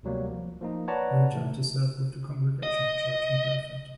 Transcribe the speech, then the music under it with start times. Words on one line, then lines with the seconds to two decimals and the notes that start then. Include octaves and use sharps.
He returned to serve with the Congregational Church in Brantford.
0.03 D2 C3 F#3 G3 A#3
0.29 F3
0.61 F3 A#3 D#4
0.88 B4 C#5 D5 F#5 A5 A#5
1.31 A2 A3
2.63 D#5